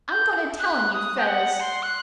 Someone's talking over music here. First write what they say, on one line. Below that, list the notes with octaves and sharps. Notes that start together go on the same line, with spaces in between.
"I'm going to tell on you fellows!"
G6
F#6
D#6
G5
F#5
C6
F#6